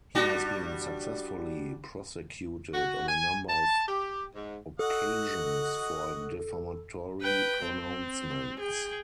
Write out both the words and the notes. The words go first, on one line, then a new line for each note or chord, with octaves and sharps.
He has been successfully prosecuted on a number of occasions for defamatory pronouncements.
G3 D4 F#4
F#4
G#5
A5
G4
G#2
F#4 A4 D#5 F#5
B4 G5
C4
G#4 G5